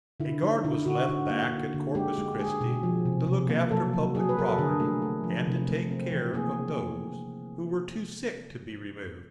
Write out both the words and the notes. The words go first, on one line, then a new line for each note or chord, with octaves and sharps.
A guard was left back at Corpus Christi to look after public property and to take care of those who were too sick to be removed.
D3 E4
D3 D#4
D3 E4
D3 F#4
D3
A#3
D3
D3
G#3 G4
G#3
G#3 G#4
B2
F3
C3
C3
A#3
F#3 A4
F#3
F#3 G#4
B4
F#3 A#4
A4
D3 G#4
A3
A3
F3
C3
A3
C4
E3
A#3 G#4